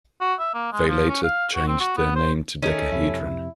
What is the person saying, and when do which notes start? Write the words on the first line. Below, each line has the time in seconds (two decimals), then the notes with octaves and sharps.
They later changed their name to Decahedron.
0.21 F#4
0.40 E5
0.54 A#3
0.73 G#3
0.89 F3
1.09 C#4
1.23 F5
1.55 F#4
1.68 C4
1.80 F#4
1.97 B3
2.16 C5
2.62 D#3 A3 C#4 D#4
2.92 F2 C3 E4